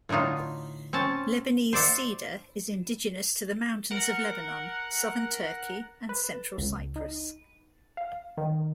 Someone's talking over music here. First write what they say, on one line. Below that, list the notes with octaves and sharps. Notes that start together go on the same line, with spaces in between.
Lebanese cedar is indigenous to the mountains of Lebanon, southern Turkey, and central Cyprus.
A2 D3 A3 D#4 F4
C4 C#4 A5
C5 D5 E5 F#5
A#4 F#5
B4
C#2
D#4
F5
D#3